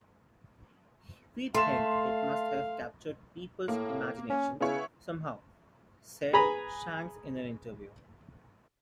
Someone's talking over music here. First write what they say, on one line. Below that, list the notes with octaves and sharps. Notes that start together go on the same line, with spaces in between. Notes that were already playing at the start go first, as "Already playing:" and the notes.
"We think it must have captured people's imaginations somehow", said Shanks in an interview.
A3 F5 C6 E7
A2 A#3
C#4
C#3 B3 E4 C#5
G#4 B4 G#5 A#5 B5